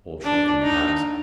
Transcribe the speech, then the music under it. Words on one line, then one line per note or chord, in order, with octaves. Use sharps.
Old shrunken paps.
D4
D#4